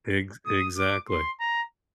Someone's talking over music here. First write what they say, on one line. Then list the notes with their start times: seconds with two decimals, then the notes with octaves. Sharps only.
Ex exactly.
0.46 D#6
0.77 D6
1.09 C6
1.40 A#5